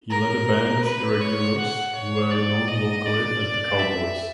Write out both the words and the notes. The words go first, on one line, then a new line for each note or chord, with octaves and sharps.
He led a band of irregulars who were known locally as the 'cowboys'.
A#4
B4
C#5
F#5
C#5
D5
D#5
D5
E5